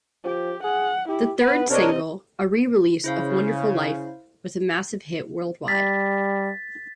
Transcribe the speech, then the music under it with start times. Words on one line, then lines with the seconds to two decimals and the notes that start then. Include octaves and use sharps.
The third single, a re-release of "Wonderful Life", was a massive hit worldwide.
0.25 F3 G4
0.64 G#4 F#5
1.09 E4 G4
1.40 B3 B4
1.70 C3 C4 D4 A#4 C#5 D#5
3.04 C#3 E4 C5 F5
5.68 G3 A6 B6